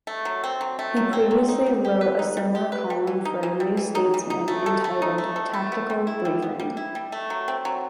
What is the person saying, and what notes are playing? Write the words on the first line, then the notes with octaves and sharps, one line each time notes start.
He previously wrote a similar column for "New Statesman", entitled 'Tactical Briefing'.
A3
F#3
C4
F#3
A3
F#3
C4
F#3
D#4
G3
G4
B4
D#4
G3
G4
B4
G3
E3
D#4
E3
G3
E3
D#4
E3
D#4
A3
A4
A3
D#4
A3
A4
A3
B3
G3
E4
G3
B3
G3
E4
G3
A3
F#3
C4
F#3